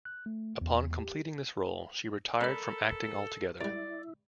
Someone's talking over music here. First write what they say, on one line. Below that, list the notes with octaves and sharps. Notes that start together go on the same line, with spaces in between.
Upon completing this role, she retired from acting altogether.
F#6
A3
E2
G4
C#4 A4 A#4 D5 B5
F#2 G3 E4 D5